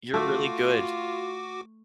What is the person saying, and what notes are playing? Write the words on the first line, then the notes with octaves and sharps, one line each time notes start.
You're really good.
A3 F4 F#4 D6